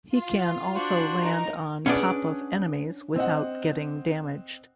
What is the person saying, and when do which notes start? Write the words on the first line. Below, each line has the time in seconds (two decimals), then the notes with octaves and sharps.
He can also land on top of enemies without getting damaged.
0.13 F4
0.75 D4 F#4 C5
1.21 D#4 A#4
1.86 C#4 D4 G#4 B4 D5 F#5
3.16 C4 D#5 F#5